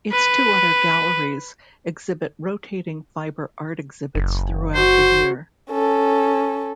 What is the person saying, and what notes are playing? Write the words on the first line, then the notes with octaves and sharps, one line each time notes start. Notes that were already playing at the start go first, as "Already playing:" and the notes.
Its two other galleries exhibit rotating fiber art exhibits throughout the year.
B4
F#1
F#4 C5
C#4 A4